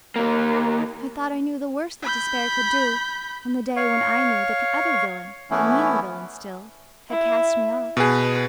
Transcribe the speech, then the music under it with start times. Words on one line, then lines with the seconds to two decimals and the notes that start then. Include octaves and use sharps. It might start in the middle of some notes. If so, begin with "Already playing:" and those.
I thought I knew the worst that despair could do on the day when I knew that the other villain, the meaner villain still, had cast me off.
0.16 D#2 A#3
2.02 B5 G6
3.76 C#5 F5 C#6
5.51 E3 A3 B3 C#4 E4
7.10 E4
7.97 B2 G#4 B4